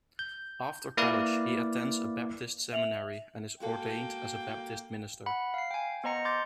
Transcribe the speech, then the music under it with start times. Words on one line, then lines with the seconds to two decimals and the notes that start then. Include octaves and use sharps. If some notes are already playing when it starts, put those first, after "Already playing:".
After college, he attends a Baptist seminary and is ordained as a Baptist minister.
0.19 G6
0.97 A#3 E4 B4 D5 F5
2.73 E5 F7 F#7
3.60 G#3 A#3 F#4 A4 G5
5.26 F#5 B5
5.54 F5 C7
5.71 G5 G#5
6.04 B3 C5 D#5 A#5 A#6 C#7
6.25 C6 D6 G6 A6